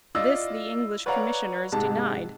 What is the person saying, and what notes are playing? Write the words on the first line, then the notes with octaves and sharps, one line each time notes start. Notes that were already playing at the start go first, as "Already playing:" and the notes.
This the English Commissioners denied.
E4 F4 D5 D#5 E6
B4 C#5 D5 F5 F#5 A#5
G#2 C3 G#3 A5